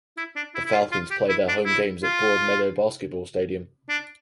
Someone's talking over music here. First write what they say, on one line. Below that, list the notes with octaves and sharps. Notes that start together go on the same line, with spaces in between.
The Falcons play their home games at Broadmeadow Basketball Stadium.
E4
D4
E4
E4
F4
F4
G4
E4
D4
E4
F4
D4